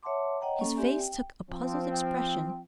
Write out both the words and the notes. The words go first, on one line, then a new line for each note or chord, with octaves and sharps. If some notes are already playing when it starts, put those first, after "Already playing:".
His face took a puzzled expression.
C#5 E5 F#5 A5 C6 D6
C#5 D#5 F#5 G5 A#5
A#3 C#4 A4
C4 G4 D5 E5 G#5
G5
F3 C4
G5